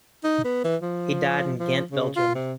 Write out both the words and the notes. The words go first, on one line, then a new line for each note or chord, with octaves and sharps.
He died in Ghent, Belgium.
D#4
B3
E3
F3
F3
C#3
F4
C3